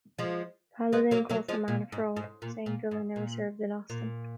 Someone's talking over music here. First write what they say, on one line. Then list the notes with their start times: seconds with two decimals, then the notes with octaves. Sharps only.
Paladin calls the man a fraud, saying Dillon never served in Austin.
0.19 F3 G#3
0.93 G#3 B3
1.11 F#3 A#3
1.30 F#3 A#3
1.49 F3 G#3
1.68 A#2
1.92 G#2
2.16 G#2
2.42 A#2
2.66 A#2
2.91 G#2
3.16 A#2
3.90 A#2